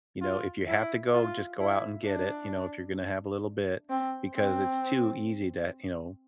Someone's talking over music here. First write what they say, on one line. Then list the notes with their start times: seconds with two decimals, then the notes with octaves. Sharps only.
You know, if you have to go, just go out and get it, you know, if you're gonna have a little bit because it's too easy to, you know,
0.22 F4
0.68 E4
1.14 F4
1.60 E4
2.05 D4
3.89 C4
4.35 C4